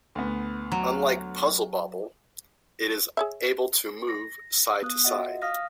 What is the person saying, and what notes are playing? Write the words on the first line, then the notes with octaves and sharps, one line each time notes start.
Unlike "Puzzle Bobble", it is able to move side to side.
D2 B3
F#3
G#4 C#5 E5
A#6
B3 D#6 F#6
F4 F#4 D#5 E5 F#5
F5 D#6 F6 A#6